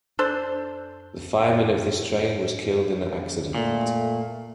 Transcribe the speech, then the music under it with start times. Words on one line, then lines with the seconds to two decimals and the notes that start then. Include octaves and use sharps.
The fireman of this train was killed in the accident.
0.19 D4 A4 C5
3.55 A#2 A3